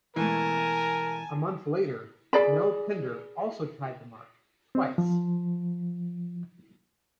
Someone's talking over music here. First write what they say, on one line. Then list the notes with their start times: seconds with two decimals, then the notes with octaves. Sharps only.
A month later Mel Pender also tied the mark, twice.
0.16 B2 E3 G#3 A3 A#4 G#5 A5
2.33 G#4 D5 B5
4.75 C4
4.98 F3